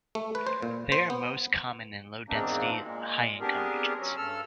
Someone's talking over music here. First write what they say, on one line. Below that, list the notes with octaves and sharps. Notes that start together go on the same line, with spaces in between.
They are most common in low-density, high-income regions.
A3
B4
C5
A#2
C5
B3
E2 G#2 A#3 C4 D4 D#4
A#2 G#3
B3 C4 D4 G4 G#4 A#4
F#3 C#4
G2 A4 E6 F6